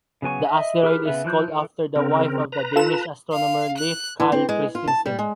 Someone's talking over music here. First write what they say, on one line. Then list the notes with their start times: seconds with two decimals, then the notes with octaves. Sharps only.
The asteroid is called after the wife of the Danish astronomer Leif Kahl Kristensen.
0.22 C#3 F#3 B3 G#5 C#6
0.45 D#5 E5
0.83 G4 G#4 A#4 B4 F6
1.06 C#3 B3 B4 E5
1.24 E3 F3 F#6 G6
1.48 E3 A4
1.96 C#3 C4 A#4
2.52 B4 A#5
2.76 F4 A4 E7
3.32 F5
3.78 F#6
4.20 E3
4.32 C4
4.49 G#3
4.75 F4
4.88 A5
5.06 G3
5.19 G#3